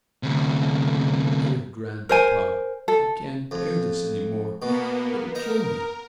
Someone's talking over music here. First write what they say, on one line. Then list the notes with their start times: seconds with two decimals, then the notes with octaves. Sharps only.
Dear Grandpapa, I can't bear this any more, it'll kill me...
0.23 D2 C3
2.09 A#4 C5 G#5
2.88 A4
3.51 F2
4.62 B2 A#3 B3
5.35 D#4 A#4